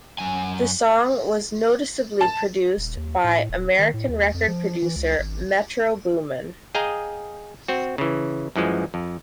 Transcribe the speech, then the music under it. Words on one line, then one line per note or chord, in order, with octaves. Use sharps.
The song was noticeably produced by American record producer Metro Boomin.
F#2 G#5
A5
D#1
D#2
A2
D#1
D#3
A2
D#2
F2
F3
E3
C#2
G#1
G#4 D#5 F5 G5 G#5 A#5
C4 F#4
C#3 E3
F#2 E3 F3 G#3
F2